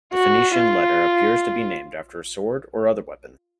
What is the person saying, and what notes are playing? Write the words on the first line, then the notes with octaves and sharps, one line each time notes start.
The Phoenician letter appears to be named after a sword or other weapon.
F#4
F4